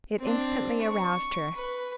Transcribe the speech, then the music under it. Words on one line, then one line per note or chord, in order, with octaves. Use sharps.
It instantly aroused her.
C4 D4
C#6
B4